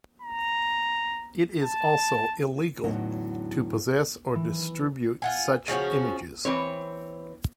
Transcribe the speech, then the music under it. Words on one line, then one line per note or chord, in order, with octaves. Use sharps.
It is also illegal to possess or distribute such images.
A#5
A5
E2 A2 D3 F#3 B3 D#4
E3
F4 F#5 G#5
C#3 F3 C#4 F#4
E3 C4 C#5